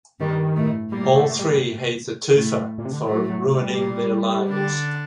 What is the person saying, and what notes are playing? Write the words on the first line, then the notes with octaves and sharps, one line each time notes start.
All three hate the Tufa for ruining their lives.
G2 D#3 G3
A2 A3
A#2 G3 A#3
A3
G3
A2 A3
A#2
C3
D3
D#3
A2 F#3 A3
F#3
G3
A#2 A#3
D3 D4